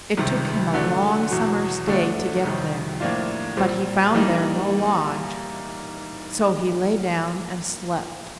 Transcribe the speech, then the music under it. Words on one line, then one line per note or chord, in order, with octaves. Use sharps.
It took him a long summer's day to get there, but he found there no lodge, so he lay down and slept.
C#2 C3 D#3 G3
D3 F#3 A3 D4
E2 B2 F#3
D2 D3 F3 A3 D4
F2 C3 D#3 G3
A2 F3 A#3 D4 F4
A#2 G3 C4
E3 G3 A#3 D#4